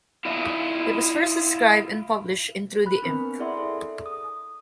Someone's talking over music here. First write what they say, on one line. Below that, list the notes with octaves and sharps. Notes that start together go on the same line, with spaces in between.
It was first described and published in Trudy Imp.
E4 F4 D#5 E5
B5 F#6
B3 C4 D4 A#4 B4
E4 G#4 D5 E5 F#5 C6
A4
D#6